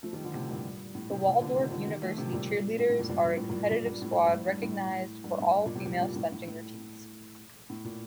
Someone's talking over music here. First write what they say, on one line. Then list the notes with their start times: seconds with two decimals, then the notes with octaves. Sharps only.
The Waldorf University Cheerleaders are a competitive squad recognized for all-female stunting routines.
0.03 F3 A3
0.13 D#3 G3
0.24 D3 F3
0.34 A2 C3
0.49 G2 A#2
0.95 A2
1.10 A2 C3
1.26 A2 C3
1.40 A#2 D3
1.56 C3 D#3
1.72 D3 F3
1.87 D#3 G3
2.02 F3 A3
2.18 A2 C3
2.33 G2 A#2
2.79 A2
2.90 A2
2.99 G2 A#2
3.09 G2 A#2
3.25 A#2
3.37 A2
3.50 G2 A#2
3.71 G2 A#2
3.86 G2
4.02 A2
4.24 G2
4.32 A2
4.48 G2
4.62 A2
5.24 G2
5.40 A2
5.55 G2
5.65 G2 A#2
5.75 A2 C3
5.85 G2 A#2
6.01 G2 A#2
6.16 A2
6.32 A2
6.47 A2
7.70 A2
7.84 A#2